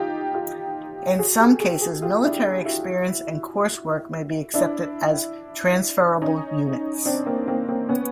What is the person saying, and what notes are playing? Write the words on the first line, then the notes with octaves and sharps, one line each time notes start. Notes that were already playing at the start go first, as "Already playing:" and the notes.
In some cases, military experience and coursework may be accepted as transferable units.
Already playing: D#4 F4 G4
F4 G4
F#4 G#4
G4 A4
F#4 G#4
F#4 G#4
F4 G4
D4 E4
E4 F#4
D4 E4
C#4 D#4
C4 D4
A#3 C4
A#3 C4
A#3 C4
B3 C#4